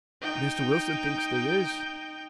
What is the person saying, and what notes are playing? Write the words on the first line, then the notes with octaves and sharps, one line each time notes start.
Mr. Wilson thinks there is.
D#4 G5